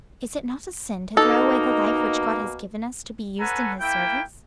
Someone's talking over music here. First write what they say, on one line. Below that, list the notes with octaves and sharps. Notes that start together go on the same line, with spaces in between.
"Is it not a sin to throw away the life which God has given us to be used in His service?"
B2 A#3 D#4 A4
C#4 A4 B4 F#5 G#5 A#5
A#3 E4 G5